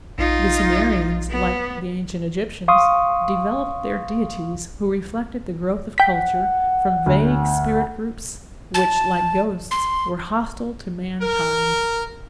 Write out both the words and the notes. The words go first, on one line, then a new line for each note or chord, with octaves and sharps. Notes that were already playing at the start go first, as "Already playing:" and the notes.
The Sumerians, like the Ancient Egyptians, developed their deities, who reflected the growth of culture, from vague spirit groups, which, like ghosts, were hostile to mankind.
A#1 D#4 F4
B3
F5 C6 C#6 D#6
F#5 G5 B6
D2
A5
C6
A#4